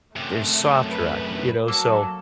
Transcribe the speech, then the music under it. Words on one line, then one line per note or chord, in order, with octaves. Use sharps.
there's soft rock, you know? So,
F#2 C3 A3
B4
F#3 A#3 A4 E6